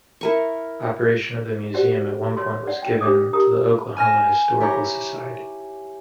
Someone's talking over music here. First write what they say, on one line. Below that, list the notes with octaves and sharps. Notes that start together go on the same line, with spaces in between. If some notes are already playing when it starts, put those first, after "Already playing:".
Operation of the museum at one point was given to the Oklahoma Historical Society.
E4 A#4 C#6
F#4 G4 B4 C5 D5 F#5
C#5 C6
D5 F#5
G5
D4 G4 D6 D#6
G4 A#4 A#5 D#6
G#5 F6 A#6 E7
E4 G4 C#5 A#5